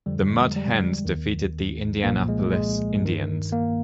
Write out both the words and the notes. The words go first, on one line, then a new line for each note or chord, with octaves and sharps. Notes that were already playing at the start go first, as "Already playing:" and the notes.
The Mud Hens defeated the Indianapolis Indians.
F2 D3 F3 G3
G#3
G3
D#2 D#3
C2 A#2 F3 A#3
G#3
G#3
G2 D#3
A#3